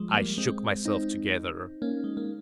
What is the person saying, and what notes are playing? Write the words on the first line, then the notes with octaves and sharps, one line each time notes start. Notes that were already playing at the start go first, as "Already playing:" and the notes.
I shook myself together.
Already playing: F3 G3 G#3
G3 A#3
G#3 C4
C4 D#4
A#3 C#4
G#3
A#3